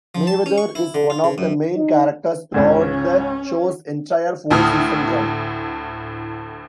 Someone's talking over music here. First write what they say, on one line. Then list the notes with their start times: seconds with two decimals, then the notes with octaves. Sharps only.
Mayweather is one of the main characters throughout the show's entire four-season run.
0.15 F3
0.27 A5
0.46 C#4
0.58 C#6
0.75 E4
0.94 D3
1.10 F4
1.24 C#3
1.38 F#2
1.75 D#4
2.54 C#2 G#2 C#4
4.51 D2 A2 E4 D#6 F6